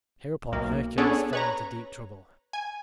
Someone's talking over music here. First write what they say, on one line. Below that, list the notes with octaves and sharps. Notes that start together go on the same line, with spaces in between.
Hereupon Hercules fell into deep trouble.
B1 A#3
B3 C#4 D4 G#4 A4 C#5
B4 C#5 A#5
G#5